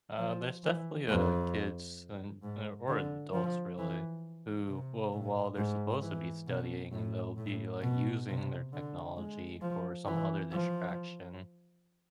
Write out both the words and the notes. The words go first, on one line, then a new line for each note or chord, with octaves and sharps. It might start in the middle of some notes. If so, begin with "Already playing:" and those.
Uh, there's definitely, uh, kids and, uh, or adults, really, who will, while they're supposed to be studying and they'll be, like, using their technology for some other distraction.
F3
E3
F2
G#2
D3
F3
E3
C3
A2
G#2
E3
B2
A2
A2
B2
C3
D3
G#3
F3
E3
F3